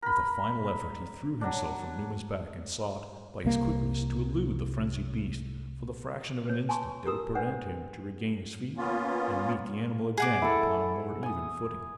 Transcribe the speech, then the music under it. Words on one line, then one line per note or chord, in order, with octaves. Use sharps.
With a final effort he threw himself from Numa's back and sought, by his quickness, to elude the frenzied beast for the fraction of an instant that would permit him to regain his feet and meet the animal again upon a more even footing.
A#4 B5
F#3 D4
C2 A#3
B4 C#5
G#5 A5 C6 C#6
G4 A#4 A#5 D#6 E6
D4 B4 C5 D5 F#5
A#3 B3 C#4 F4
G#4 F#5 D6
E4 A4
G#5 D#6